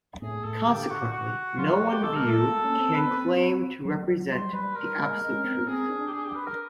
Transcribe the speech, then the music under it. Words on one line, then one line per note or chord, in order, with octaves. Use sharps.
Consequently, no one view can claim to represent the absolute truth.
A2 G#4
A2 A4
D3 G4
F#4
F#4
F#3 F4
F#4
G4
G#3 A4
A#4
A3 A4
A3
A#3
C#4
C4
C4 B4
B3
C4
F#3
F#3
G3 C5
G3 B4
A#4
G#3
G#3
C#4
C4
B3
C4 G#4
D4
G4
G#4
G4
B4
A#4